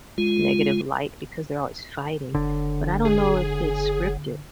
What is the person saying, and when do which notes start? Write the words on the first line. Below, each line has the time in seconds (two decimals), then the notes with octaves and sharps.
negative light because they're always fighting, but I don't know if it's scripted.
0.18 G#3 F4
2.35 F#1 D3
3.05 G#4